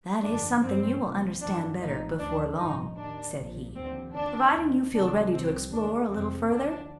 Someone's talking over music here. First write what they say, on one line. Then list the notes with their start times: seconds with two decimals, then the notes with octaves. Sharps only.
"That is something you will understand better before long," said he, "provided you feel ready to explore a little further."
0.23 G1 F2 D3 F3 D4
0.62 G1 G2 F3 C4
1.02 C2 A#2 F3
1.40 G1 F2 D3 F3 D4
1.80 A#1 A2 F3 D#4
2.19 D2 D3 F3 D4
2.58 A1 G2 F3 D#4
2.97 D#2 D#3 D4
3.37 A#1 A#2 F3
3.76 D#2 D3 F3 C4
4.15 D#2 D3 F3 D4
4.54 D#2 D#3
4.94 C2 C3 D#3 D4
5.32 C2 C3 F3 C4
5.72 D#2 D#3 D4
6.11 F2 C3 F3 C4
6.51 D2 D3 F3 D4